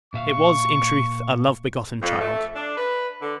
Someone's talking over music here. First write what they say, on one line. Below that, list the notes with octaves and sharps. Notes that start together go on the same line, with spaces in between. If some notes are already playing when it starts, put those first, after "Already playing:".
It was, in truth, a love-begotten child!
A#2 E5 F5 C#6
F2
A3
D4
B4
D3